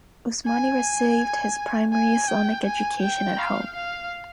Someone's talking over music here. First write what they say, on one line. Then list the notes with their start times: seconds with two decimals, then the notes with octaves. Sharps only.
Usmani received his primary Islamic education at home.
0.46 G#5
1.93 G#5
2.29 G5
2.66 G#5
3.02 G5
3.39 F5
3.75 F5